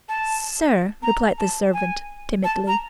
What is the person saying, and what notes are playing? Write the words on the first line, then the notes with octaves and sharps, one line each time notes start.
"Sir!" replied the servant, timidly.
A5
A#5
A5
G#5
A5
A#5